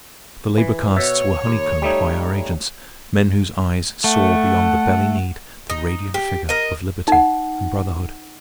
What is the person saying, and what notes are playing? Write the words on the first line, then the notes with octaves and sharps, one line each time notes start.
The labor castes were honeycombed by our agents--men whose eyes saw, beyond the belly-need, the radiant figure of liberty and brotherhood.
E3
B2 C#5 E5
D#2
G3 A3 D#4
A3 F#5
D#4
G4
A#4 D#5
D#4 F#5